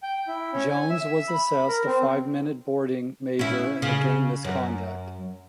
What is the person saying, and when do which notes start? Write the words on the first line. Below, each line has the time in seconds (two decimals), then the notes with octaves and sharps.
Jones was assessed a five-minute boarding major and a game misconduct.
0.03 G5
0.27 E4
0.53 C#4
0.70 G#5
0.90 E5
1.28 B5
1.68 A#4
1.86 C4
3.39 C#4 E4
3.82 C#3
4.44 F#2